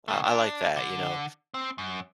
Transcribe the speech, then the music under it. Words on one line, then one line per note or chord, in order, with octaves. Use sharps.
I I like that, you know,
C#3 A3
D4
D3
C4
F#2